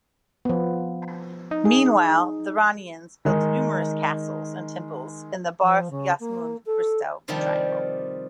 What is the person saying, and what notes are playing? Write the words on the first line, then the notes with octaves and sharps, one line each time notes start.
Meanwhile, the Ranians built numerous castles and temples in the Barth-Jasmund-Gristow triangle.
F3 B3
D#4
G#4
D#3 G#3 D#4
F3
C#3
A#3
A4
C3 D#3 F3 G3 G4